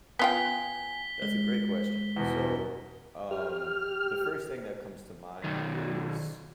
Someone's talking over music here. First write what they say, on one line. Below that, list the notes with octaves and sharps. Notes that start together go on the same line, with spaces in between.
That's a great question. So, um, the first thing that comes to mind is
B3 F4 G5 G#5 B6 G7
G#3 G7
E2 B2
G4 F6
B1 D#3